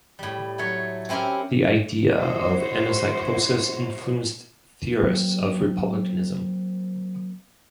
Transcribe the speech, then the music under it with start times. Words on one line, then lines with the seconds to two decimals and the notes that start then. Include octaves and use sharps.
The idea of anacyclosis influenced theorists of republicanism.
0.19 A2 G3
0.58 F#3 A3 A4 C#5
1.09 C4 C#4 E4 G4 A#4
2.18 G#3 A#3 E4 F#4 C5 C#5
5.03 F#3 A#3 C4